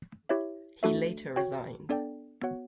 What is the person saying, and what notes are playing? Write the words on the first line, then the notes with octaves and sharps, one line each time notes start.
He later resigned.
E4 G4 C#5 E5
A3 D4 F#4 A4 E5
F#4 C#5 G5
B3 D4 A4 D5 G5
B3 F#4 C#5 F#5